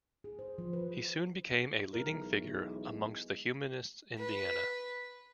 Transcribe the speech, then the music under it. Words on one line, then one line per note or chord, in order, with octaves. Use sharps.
He soon became a leading figure amongst the humanists in Vienna.
G#4
C5
F3
B4
B1 E3 G#3 A#4
B4